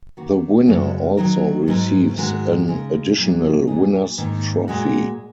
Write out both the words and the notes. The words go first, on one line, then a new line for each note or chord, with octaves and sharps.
The winner also receives an additional winner's trophy.
D#3 A#3 F#4
F#2 C#3 G#3 F#4
D#3 F#3 D#4 A#4
G#2 F#3 D#4 A#4
G#2 D#3 G#3 F#4 A#4
C#3 G#3 D#4
A#2 F#3 A#3 F#4
A#2 F#3 D#4 G#4
G#2 D#3 A#3 D#4
A#2 G#3 F#4